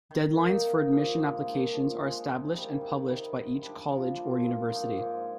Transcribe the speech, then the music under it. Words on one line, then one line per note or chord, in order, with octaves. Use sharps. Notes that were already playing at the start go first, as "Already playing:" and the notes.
Deadlines for admission applications are established and published by each college or university.
D#3
A#3 D#4 A#4
C3
F3 A#3
G#2
D#3 A#3 D4
F3
G#3 D#4
C3
D#3 G3
C3
D#3 G3
G#2
G3 D4
F3
A#3 F4
G2
F3 A#3 D#4
G#2